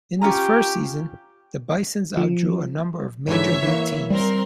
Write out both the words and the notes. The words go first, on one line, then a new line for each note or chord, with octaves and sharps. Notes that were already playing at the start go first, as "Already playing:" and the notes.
In this first season, the Bisons outdrew a number of Major League teams.
C#4 F4 G4 A#5
F3
G#2 D3 E3 C#5 E5
E3 A#3
G3 C4 A#4 C6